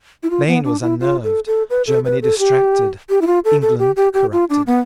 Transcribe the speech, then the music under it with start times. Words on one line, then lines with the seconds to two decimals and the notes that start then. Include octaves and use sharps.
Spain was unnerved, Germany distracted, England corrupted.
0.23 E4
0.30 F4
0.48 B3
0.64 D4
0.82 E4
1.00 F4
1.24 A4
1.47 A4
1.70 B4
1.87 A4
2.05 B4
2.22 A4
2.39 G4
3.10 G4
3.21 E4
3.27 F4
3.45 A4
3.62 A4
3.79 G4
3.96 G4
4.14 G4
4.32 F4
4.50 D4
4.67 B3